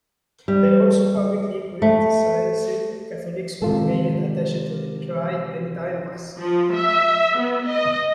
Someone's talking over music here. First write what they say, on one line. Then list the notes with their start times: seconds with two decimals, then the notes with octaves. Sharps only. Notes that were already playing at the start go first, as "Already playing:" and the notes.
They also publicly criticised Catholics who remained attached to the Tridentine Mass.
0.48 G3
1.82 A3
3.62 C3 D#3 G#3 F4 A4
6.38 F3
6.73 E5
7.37 B3
7.67 D#5